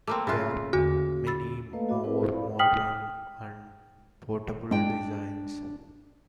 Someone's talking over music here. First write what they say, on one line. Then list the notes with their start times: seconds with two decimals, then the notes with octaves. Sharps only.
There are many more modern and portable designs.
0.08 A3 A#3 C4 D6
0.27 G#2 C#3 F4 E5 F#6
0.73 E2 D3 F#4
1.27 B5 E6 A6
1.73 A3 A#3 A4 B4 D#5 F5
1.89 F#4 D#5 F5 B5 D6
2.03 C4 E4 G#4 A#4 B4
2.18 E4 F4 C5
2.31 A4 D5 F5 B5
2.59 G5 D#6 F6 B6 F#7
4.71 G#3 D4 G5